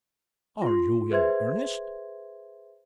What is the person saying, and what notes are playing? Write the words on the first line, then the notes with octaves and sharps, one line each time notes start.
"Are you in earnest?"
F4 C6
G#4 B4 C5 E5 C6 G#6